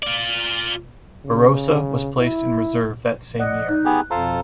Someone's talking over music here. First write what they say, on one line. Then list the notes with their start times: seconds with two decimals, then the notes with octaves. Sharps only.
"Barrosa" was placed in Reserve that same year.
0.02 F4 D5
1.25 C#3
2.18 E4
3.40 D5 D#5 F#5
3.69 D#4 F#6
3.85 B3 G4 G#4
4.11 F2 B2 F3 F4 A4 C5 A#5